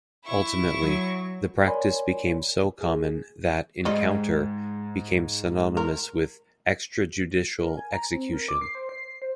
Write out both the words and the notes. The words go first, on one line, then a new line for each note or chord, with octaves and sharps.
Ultimately, the practice became so common that "encounter" became synonymous with extrajudicial execution.
E4 C#6
F#3
A#4 C#5 D5 G#5 B5 C6
G#4
G#2 G3 D#5
A#4
A#4
G#5
A#5
C4
A#4
D6
C7
C5
C7
C5